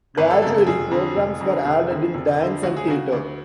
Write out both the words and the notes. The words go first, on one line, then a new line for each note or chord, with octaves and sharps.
Gradually programs were added in dance and theater.
G#1 B4
A4
F#2 C#3 A4
A4
F1 G#4
F2 D3
F1
F2 D3
F1 G#4
F2 D3
F1
F2 D3
D2 F#4
G#4
C#3 F#4
D2